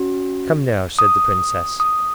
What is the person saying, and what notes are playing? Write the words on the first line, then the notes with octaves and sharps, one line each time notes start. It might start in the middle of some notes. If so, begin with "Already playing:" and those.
"Come now," said the princess.
Already playing: C#4 F#4
D#6
D#6